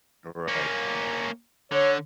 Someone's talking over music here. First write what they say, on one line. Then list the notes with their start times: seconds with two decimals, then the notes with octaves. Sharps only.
You're right.
0.48 A#3 C#4
1.72 D3 C#5